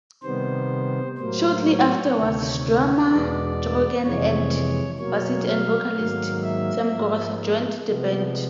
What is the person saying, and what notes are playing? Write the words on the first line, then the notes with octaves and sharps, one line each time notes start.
Shortly afterwards drummer Draugen and bassist and vocalist Themgoroth joined the band.
C3 D#3 G3 B3 C5
A2 F#3 A#3 C5
C#5
D2 C3 D#3
E2 B2 G#3 B3 D5
F2 C3 E3 G#3 C#5
B2 F#3 A#3 C#5
F5
G#2 D#3 F#3 A#3
E5
G#2 F3 A#3
C3 F3 G#3 B3